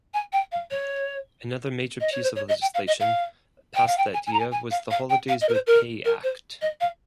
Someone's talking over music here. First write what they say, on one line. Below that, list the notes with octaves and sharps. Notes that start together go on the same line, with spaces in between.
Another major piece of legislation passed that year was the Holidays with Pay Act.
G#5
G5
F5
C#5
D#5
C#5
C5
C#5
D#5
G5
F5
D#5
F5
G5
F5
G5
G#5
G#5
A#5
G#5
G#5
F5
F5
G5
F5
D#5
A#4
C5
A#4
A#4
C5
D#5
F5